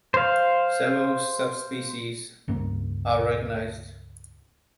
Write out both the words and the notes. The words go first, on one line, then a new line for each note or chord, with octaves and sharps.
Several subspecies are recognized.
C5 F5
C#2 G2 A#3